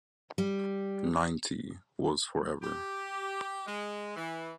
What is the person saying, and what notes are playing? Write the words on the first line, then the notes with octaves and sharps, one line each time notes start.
"Ninety"... was forever.
G3
G4
G#3
E3